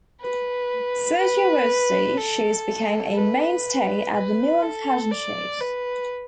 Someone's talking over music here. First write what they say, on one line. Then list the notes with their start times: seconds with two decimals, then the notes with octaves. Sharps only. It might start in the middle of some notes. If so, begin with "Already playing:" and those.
Sergio Rossi shoes became a mainstay at the Milan fashion shows.
0.21 B4
1.19 B4
2.17 A4
3.15 B4
4.13 B4
4.62 A4
5.11 D5
5.60 B4